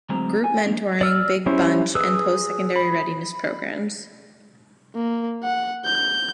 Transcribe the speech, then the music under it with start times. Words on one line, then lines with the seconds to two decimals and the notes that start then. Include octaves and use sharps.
Group Mentoring, Big Bunch, and Post Secondary Readiness programs.
0.09 D2 F#3 G#3 C4 A#5
0.44 G#5
0.66 F3 A#3 D4
1.01 D5 E6 F6
1.46 G3 C#4 E4 C5
1.95 G#4 B4 E6
2.76 B5
4.95 A#3
5.44 F#5
5.85 G6